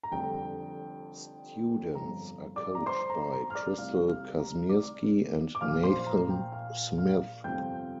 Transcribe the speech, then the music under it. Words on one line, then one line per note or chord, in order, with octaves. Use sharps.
Students are coached by Crystal Kazmierski and Nathan Smith.
A#5
F1 F2 D3 G3 G5
G1 F2 F3 A#5
D5 D6
A#5
C5 C6
A#5
A#5
F6
D5 D6
C2 C3 G3 F5 F6
F5 F6
A#5
D5 D6
D6
A#1 A#2 F3 F5 F6
C5 C6
A#5
G5
F5 F6
F5 F6
G1 F2 C3 F3 G5 G6